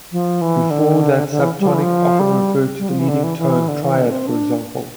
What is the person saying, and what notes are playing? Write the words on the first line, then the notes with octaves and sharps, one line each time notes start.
Before that subtonic often referred to the leading tone triad, for example.
F3
E3
D3
D3
E3
G3
F3
E3
F3
G3
G3
F3
E3
D3
E3
E3
D3
E3
D3
D4
C4
D4